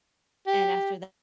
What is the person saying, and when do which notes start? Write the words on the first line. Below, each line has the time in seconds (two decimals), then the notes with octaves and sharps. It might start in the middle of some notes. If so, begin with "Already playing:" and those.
and after
0.47 G4